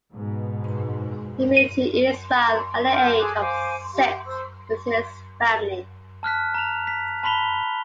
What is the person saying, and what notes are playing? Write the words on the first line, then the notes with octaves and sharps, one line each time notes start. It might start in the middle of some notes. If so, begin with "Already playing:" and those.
He moved to Israel at the age of six with his family.
G#2 B2
D#7
A5 F6 G6
G#4 A4 D6 F#6
C5 F5 G#5 D6
G4 E5 F5
C5 E6
A5 F6 F#6 B6
A#5 F7
B6
A5 B5 C6 B6 F7 G7